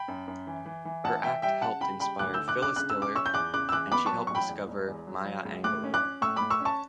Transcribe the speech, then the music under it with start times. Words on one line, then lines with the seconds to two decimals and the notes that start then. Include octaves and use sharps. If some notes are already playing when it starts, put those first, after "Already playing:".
Her act helped inspire Phyllis Diller and she helped discover Maya Angelou.
Already playing: G5 B5
0.08 F#2
0.28 F#2
0.47 E3
0.66 E3
0.85 E3
1.04 A1 F#5 A5
1.24 E3 E5 G5
1.42 G3 E5 G5
1.61 C#3 F#5 A5
1.81 C#3 G5 B5
2.00 G3 G5 B5
2.19 D2 D6 F#6
2.34 D3 E6 G6
2.48 D6 F#6
2.58 D3 D6 F#6
2.76 C#3 F#6
2.90 E6
2.96 C#3
3.02 D6
3.15 C#4 C#6 E6
3.26 G6
3.34 E2 D6 F#6
3.54 C#3 D6 F#6
3.69 E6
3.72 E3 D6 F#6
3.92 B3 B5 D6
4.06 F#3 A5 C#6
4.27 C#6
4.30 A1 G5 B5
4.49 E2
4.68 E1
4.88 E2
5.07 F#3
5.25 F#3
5.45 C#2
5.64 A2 D6 F#6
5.84 C#4
5.94 D6 F#6
6.03 C#4
6.21 A2 C#6 E6
6.36 A2 B5 D6
6.50 C#6 E6
6.61 C#4 A5 C#6